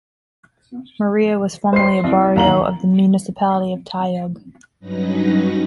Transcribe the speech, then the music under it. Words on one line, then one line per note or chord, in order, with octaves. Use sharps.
Maria was formerly a barrio of the municipality of Tayug.
C5 C7
C2
D#2 A#5 F#7
G2 F#3 C#4 D#4 B4 A#6